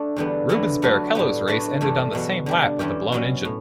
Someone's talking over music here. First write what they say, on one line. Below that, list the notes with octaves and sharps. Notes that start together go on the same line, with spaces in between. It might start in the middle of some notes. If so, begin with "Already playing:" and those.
Rubens Barrichello's race ended on the same lap with a blown engine.
Already playing: A3 D4
E2 D3 G3 B3
E2 D3 F#3 B3 E4
F#3 A3 D4 F#4 B4
A2 G3 B3
F#3 A3 D4 F#4 B4
G2 E3 A3 D4 A4
E2 B2 F#3
D3 G3 D4
G2 E3 G3 C#4 G4
B2 F#3 C#4
A2